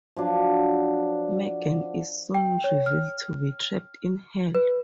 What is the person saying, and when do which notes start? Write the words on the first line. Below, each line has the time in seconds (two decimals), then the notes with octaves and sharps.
Meggan is soon revealed to be trapped in Hell.
0.16 F3 F#3 D4
2.34 G5
2.64 C#5
2.86 F6
4.55 B4